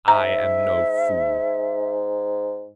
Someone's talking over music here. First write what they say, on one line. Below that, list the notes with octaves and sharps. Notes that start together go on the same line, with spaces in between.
I am no fool.
G#2 E5 A#5